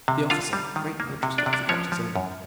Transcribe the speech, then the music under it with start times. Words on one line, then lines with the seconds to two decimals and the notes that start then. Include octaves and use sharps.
The officer, greatly interested, forgot his errand.
0.08 C3
0.30 D3 F4 F5
0.53 G3
0.76 D#3
1.00 A#3
1.23 C3
1.38 D4 D5
1.46 C3
1.53 D4 D5
1.69 F3 C#4 C#5
1.92 F3
2.16 F#2